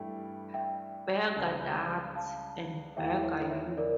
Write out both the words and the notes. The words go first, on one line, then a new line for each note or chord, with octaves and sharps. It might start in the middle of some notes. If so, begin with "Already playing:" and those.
Bugger that and bugger you.
Already playing: G2 E3 A3 E4 G4 G5
E5 G5
C#2 C#3 G3
F5 A5
E2 E3 A3 E4 G4 E5 G5
C#5 E5
C#5 E5
A#4 D5